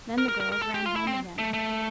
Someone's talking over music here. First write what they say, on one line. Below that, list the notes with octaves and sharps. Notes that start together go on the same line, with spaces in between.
Then the girls ran home again.
A#4
A#4
A#4
A#4
A4
G4
F4
E4
C4
A3
A3